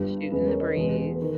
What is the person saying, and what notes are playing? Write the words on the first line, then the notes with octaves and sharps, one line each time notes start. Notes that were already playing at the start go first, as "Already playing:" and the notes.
Shooting the breeze.
Already playing: G1 G2 G3
E2 C#3 G#3 G#4 B4
A#4 C#5
B4 D#5
E1 E2 B2 G#3
D#3